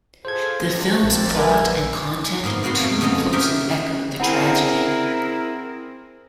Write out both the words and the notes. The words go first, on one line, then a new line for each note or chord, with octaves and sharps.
The film's plot and content too closely echoed the tragedy.
F4 G#4 A4 C5 G#6
C#2
A#1 A#3 C4 A5
A#4 B4 E5 G#5
G#2 A#3 B3 C6
C3 A#3 B3 F#4 C6
F2 B2
F2 C#3 A4 D#5 A#5
C#3 F#3 G4 A#4 D#5 E5
C4 E4 G#4 A#4 F#5 A#5 B5